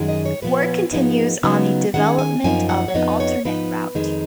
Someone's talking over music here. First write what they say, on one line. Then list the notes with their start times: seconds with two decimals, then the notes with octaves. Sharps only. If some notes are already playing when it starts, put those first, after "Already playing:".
Work continues on the development of an alternate route.
Already playing: F#2 D#3 G#3
0.09 D#5
0.26 C#5
0.42 A#2 F3 B3 B4
0.93 G#2 F3 G#3 B3 D#4
1.43 C#3 F#3 B3 D#4
1.94 D#3 G#3 C#4 F#5
2.19 G#5
2.44 F#2 F3 A#3 D#4 G#5
2.69 F#5
2.88 C#5
2.94 F2 F3 B3 D#4 D#5
3.20 C#5
3.45 G#2 F3 B3 D#4 B4
3.95 F2 D#3 G#3 D#4